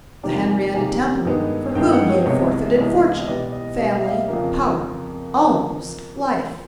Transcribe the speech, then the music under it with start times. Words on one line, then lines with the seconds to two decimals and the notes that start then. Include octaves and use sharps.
The Henrietta Temple for whom he had forfeited fortune, family, power, almost life!
0.23 F2 C3 D#3 G3 A#3 D5
0.49 G#5
0.74 F2 C3 D#3 G3 A#3 G#5
1.25 G2 D#3 G#3 B3
1.75 G2 D#3 G#3 B3 G5
1.92 F#5
2.09 C#5
2.26 C2 C3 E3 G#3 B3 C#5
2.77 C2 C3 E3 G#3 B3
3.20 D#5
3.27 B2 G3 B3 D5
3.52 D#5
3.78 B2 G3 B3 D#5
3.94 E5
4.04 F5
4.11 E5
4.28 F2 C#3 F3 A#3 F5